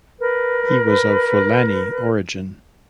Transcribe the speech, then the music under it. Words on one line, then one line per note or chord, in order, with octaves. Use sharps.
He was of Fulani origin.
A#4 B4